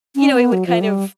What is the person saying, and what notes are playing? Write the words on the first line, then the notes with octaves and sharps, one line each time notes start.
you know, he would kind of
C#4
C4
B3
F#3
F3
G3